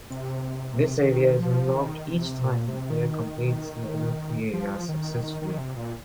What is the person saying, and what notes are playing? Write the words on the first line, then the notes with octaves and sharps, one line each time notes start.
This area is unlocked each time the player completes the other three areas successfully.
C3
D#3
F3
F3
D#3
C3
A#2
C3
D#3
F3
D#3
D#3
D#3
C3
A#2